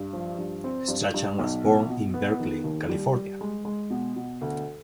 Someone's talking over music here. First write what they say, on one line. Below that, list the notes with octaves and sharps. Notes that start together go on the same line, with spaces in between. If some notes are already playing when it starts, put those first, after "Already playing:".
Strachan was born in Berkeley, California.
Already playing: G2
F3
G2
C4
G2
G2
B1
B2
B2
B3
D#3
D#2
G3
G3
G#3
G#3
B2
B2
D2